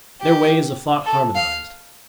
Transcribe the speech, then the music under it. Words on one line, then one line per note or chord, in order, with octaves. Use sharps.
Their ways of thought harmonized.
G4
A4
F5